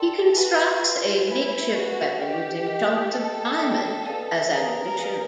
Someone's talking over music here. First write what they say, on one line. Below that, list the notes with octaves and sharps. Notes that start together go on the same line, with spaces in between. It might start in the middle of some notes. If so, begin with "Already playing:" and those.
He constructs a makeshift weapon, using chunks of diamond as ammunition.
Already playing: A4 A#4 D5 G5 C6
F#4 B4 E5 G#5 B5
F4 B4 E5 G#5 B5
E4 B4 E5 G#5 B5
F#4 B4 E5 G#5 B5
G4 A#4 D#5 G5
A#4 D#5 G5
A4 A#4 D#5 G5
A#4 D#5 G5
G#4 B4 D5 F5 G#5
G#4 A#4 B4 D5 F5 G#5
G#4 B4 D5 F5 G#5